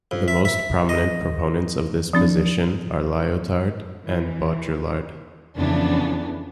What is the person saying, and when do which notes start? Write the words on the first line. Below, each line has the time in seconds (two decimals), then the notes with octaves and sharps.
The most prominent proponents of this position are Lyotard and Baudrillard.
0.11 F2
0.28 E5
0.45 E5
0.89 D#5
2.13 F3 C4 D4
4.04 E3
5.57 F2 C#3 E3 B3 D4